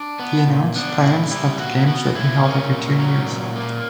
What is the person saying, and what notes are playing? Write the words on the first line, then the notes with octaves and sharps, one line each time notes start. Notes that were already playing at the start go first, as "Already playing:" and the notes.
He announced plans that the games would be held every two years.
Already playing: D4
B3
A#2
B3 D4
A#2 E4
G3 E4
A#2 F#4
B3 F#4
A#2 E4
A#3 C#4
A#2
F#3
A#2
A#3